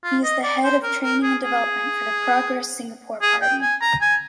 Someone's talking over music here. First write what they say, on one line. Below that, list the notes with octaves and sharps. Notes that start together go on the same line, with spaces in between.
He is the head of training and development for the Progress Singapore Party.
F4
D#5
D5
C5
A#4
A#4
G#4
G#4
G#4
G5
G#5
A#5
G#5